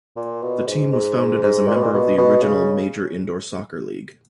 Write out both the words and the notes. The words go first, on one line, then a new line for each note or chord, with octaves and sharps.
The team was founded as a member of the original Major Indoor Soccer League.
A#2
B2
G#2
G#2
G#2
G#2
A#2
B2
A#2
B2
B2
C#3